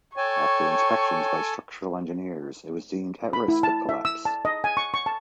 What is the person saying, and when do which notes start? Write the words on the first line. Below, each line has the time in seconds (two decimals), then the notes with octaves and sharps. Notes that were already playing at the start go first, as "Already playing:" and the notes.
After inspections by structural engineers, it was deemed at risk of collapse.
0.17 A4 C#5 G5 G#5 C#6
3.33 B5
3.48 E4
3.63 A5
3.89 E5
4.05 E6
4.25 A5
4.45 D#5
4.64 G#5
4.77 C#6
4.94 C#6
5.06 A5